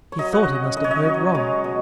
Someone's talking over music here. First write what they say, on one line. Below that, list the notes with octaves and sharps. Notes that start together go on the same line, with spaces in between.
He thought he must have heard wrong.
C#5
F#3 D#5
F#5
C#3
C#3 D#5
C#5
D#5
F#3
G#3 C#5
B2